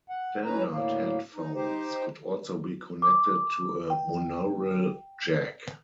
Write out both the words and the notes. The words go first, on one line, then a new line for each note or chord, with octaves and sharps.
Standard headphones could also be connected to a monaural jack.
F#5
A2 F#3 C#4 D#4 B4 A#5
D2 A2 A#3
D#4
D#4 G4 C5
D6
G5